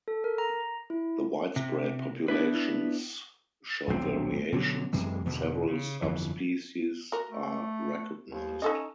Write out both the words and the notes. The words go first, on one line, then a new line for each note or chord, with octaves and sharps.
The widespread populations show variations and several subspecies are recognized.
A4
A#4
A#5
E4
C3
B3 D4 E4 B4
D#1 B1 B2 C4
B2 D3 F3 F#3
F#2 C3 E3 G#3
E2 G2 B2 D3
C#3
G1 F2 E3
F#4 A#4
A3
D#2
C#4 D#4 A4 D#5